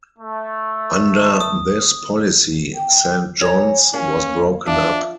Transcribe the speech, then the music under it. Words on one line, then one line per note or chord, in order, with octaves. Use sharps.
Under this policy, Saint John's was broken up.
A3
D#6
G5
C#5 G#5 A#5
A#3 C#4
F3 D4 E5